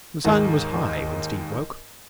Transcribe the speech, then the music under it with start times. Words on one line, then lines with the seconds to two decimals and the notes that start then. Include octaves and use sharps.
The sun was high when Steve woke.
0.25 D#2 G#2 D#3 G#4